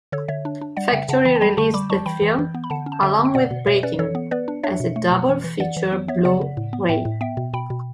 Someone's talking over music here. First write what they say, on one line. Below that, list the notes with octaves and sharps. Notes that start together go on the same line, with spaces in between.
Factory released the film, along with "Breakin"', as a double feature Blu-ray.
D3 A4 C#5
D3 C#5 E5
D4
D4
G3 D5 F#5
C#3 E5 G5
C#3 F#5 A5
E3 G5 B5
A5
G3 G5 B5
D3 A5 C#6
G3 B5 D6
G3 A5 C#6
E3 G5 B5
E3
E3
B3
B5
D3 F#5 A5
C#4
A5
D3 E5 G5
D3
G5
B2 D5 F#5
B2
B2 C#5 E5
C#4 B4 D5
E3 A4 C#5
B3
B3 B4 D5
D4
D4 C#5 E5
B2
A3
B2
E3
E3
E3 D5 F#5
E3
B3
B3 C#5 E5
C#3 D5 F#5
C#3
A2
B3
A2 E5 G5
A2
B3 E5 G5
B2
B2 G5 B5
B2